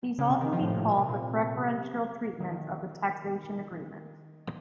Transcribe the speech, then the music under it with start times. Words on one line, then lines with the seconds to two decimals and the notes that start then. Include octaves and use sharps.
These all can be called the preferential treatments of the taxation agreement.
0.18 C#3
0.30 C3
0.41 D#3
0.53 F3
0.61 A2
0.70 A#2
0.78 A2
0.86 A#2
0.98 C3
1.09 A#2
1.55 C3
2.40 D#3